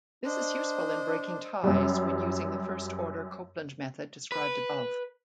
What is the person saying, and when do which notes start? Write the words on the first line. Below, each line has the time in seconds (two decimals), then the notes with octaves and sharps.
This is useful in breaking ties when using the first-order Copeland method described above.
0.24 D4 C5 D#5
1.63 F#2 G3
4.32 B4